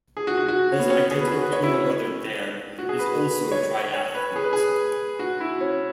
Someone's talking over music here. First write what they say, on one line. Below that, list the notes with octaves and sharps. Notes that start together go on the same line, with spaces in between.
His identical twin brother Dan is also a triathlete.
G#4
F#4
F#4
F#4
C#4
B3
C#4
G#4
B4
G#4
F#4
C#5
E4
C#4
F#4
G#4
B4
C#5
C#5
B4
G#4
B4
G#4
F#4
E4
C#4